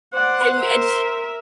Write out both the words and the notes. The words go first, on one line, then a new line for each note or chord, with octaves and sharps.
I mean, I ju
C5 D5 F#5
A#4 E5